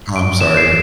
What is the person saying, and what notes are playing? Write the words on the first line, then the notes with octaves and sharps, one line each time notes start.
Oh, I'm sorry.
D7
E7
C7